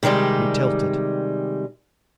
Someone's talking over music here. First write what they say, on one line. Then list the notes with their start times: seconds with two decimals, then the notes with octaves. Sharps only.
We tilted.
0.03 C3 D#3 G3 G#3 D5